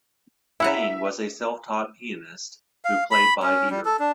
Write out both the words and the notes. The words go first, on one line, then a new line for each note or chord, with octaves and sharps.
Fain was a self-taught pianist who played by ear.
E4 E5 F#5 A#5
F5
B5
C#4
G3
A4
D4